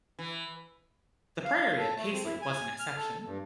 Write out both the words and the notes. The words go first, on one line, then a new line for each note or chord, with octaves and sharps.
The priory at Paisley was an exception.
E3
F5
A4
A3
C4
E4
G#5
F6
A4
G2